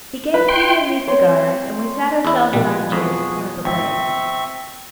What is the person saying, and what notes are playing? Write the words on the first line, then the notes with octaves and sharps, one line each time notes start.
He gave Peter and me cigars, and we sat ourselves in armchairs in front of the blaze.
B4
G5 C6
C4 C#5 C6
E2 E4 B4
B2 F3 G3
F2 F#4 G#4
G#1 C4 E5 C#6